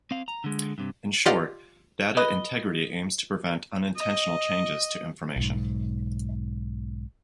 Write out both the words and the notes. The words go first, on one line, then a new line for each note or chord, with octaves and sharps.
In short, data integrity aims to prevent unintentional changes to information.
C4 F5
A#5
D3 G#3
G2 C3
F4 G4 D5 D#5 F5 F#5
B4 D#5
D#5
B1 G#2